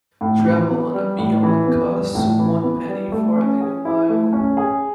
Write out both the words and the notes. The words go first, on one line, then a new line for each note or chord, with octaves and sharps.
Travel on a 'Bian' cost one penny farthing a mile.
A2
E3
B3
G3
A2
E3
B3
G3
A2
E3
B3
G3
A3
C#4
G#4
E4
A3
C#4
G#4